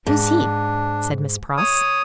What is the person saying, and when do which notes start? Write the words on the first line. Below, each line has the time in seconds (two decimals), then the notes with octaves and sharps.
"Who's he?" said Miss Pross.
0.07 G#2 D4
1.57 C#5 D#6